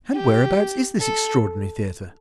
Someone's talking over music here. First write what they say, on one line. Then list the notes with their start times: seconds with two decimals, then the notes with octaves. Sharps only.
And whereabouts is this extraordinary theatre?
0.13 G4
1.00 A4